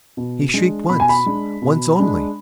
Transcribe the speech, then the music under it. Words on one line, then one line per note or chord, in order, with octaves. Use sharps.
He shrieked once--once only.
B2
G#3 D4
B2 B5
G#5
B5
G#3 D4
B2
G#3 D4